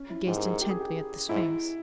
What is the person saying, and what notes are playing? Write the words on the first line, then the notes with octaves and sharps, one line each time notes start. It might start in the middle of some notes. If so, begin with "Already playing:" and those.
He gazed intently at the sphinx.
Already playing: C#4
E4
G#2 G4
A#4
G#4
G4
G#4
G4
G#2 E4